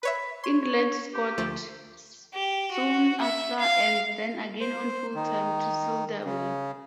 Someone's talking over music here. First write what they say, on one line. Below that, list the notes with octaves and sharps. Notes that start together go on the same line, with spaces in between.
England scored soon after and then again on full time to seal their win.
B4 C#5 E5 B5
C#5 C6
C#5
G4
D2 F3 A3
G4
F#4
E5
F5
C5
D#3
C#3